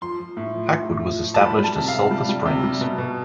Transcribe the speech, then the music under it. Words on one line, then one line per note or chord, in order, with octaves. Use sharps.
Packwood was established as Sulphur Springs.
F3 C6
F3
A2
F3
A2
A2
F3
F3
A5
G3 B5
G3
A5
C3
F5
C3
G3
G3
C3
G3
B2
B2